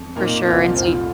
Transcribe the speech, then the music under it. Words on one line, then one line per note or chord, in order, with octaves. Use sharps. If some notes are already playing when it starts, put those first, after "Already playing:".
For sure. And so y
Already playing: F2
A#2 A#3 D#4
C2 C4 F4
F1 C4 F4